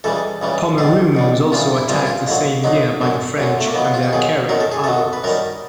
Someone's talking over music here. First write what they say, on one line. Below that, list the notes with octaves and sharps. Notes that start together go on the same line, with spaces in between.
Pomeroon was also attacked the same year by the French and their Carib allies.
C#2 C#3 E3 G3 A4
C#2 C#3 E3 G3
C#2 B2 G3 G4
C#2 B2 G3
C2 C3 E3 G3 F4
E4
C2 C3 E3 G3 F4
E4
F4
D#2 D3 F#3
D#2 D3 F#3 D#4
F#2 D3 F#3
F#2 D3 F#3
A3
A#3
D#2 D#3 F#3 B3
B3
F4
G4
D#2 D#3 F#3 G#4
F#2 D#3 F#3 A#4
A4
G#4
F#2 D#3 F#3 A4
B4
F#2 D#3 G3 A#4